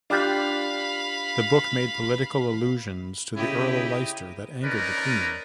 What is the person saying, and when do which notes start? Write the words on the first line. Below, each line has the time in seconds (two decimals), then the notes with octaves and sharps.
The book made political allusions to the Earl of Leicester that angered the Queen.
0.10 D4 F4 G4 F5 B5
3.36 C#3 D#4 E4 G4
4.63 C#4 D#4 A#4 B4 D5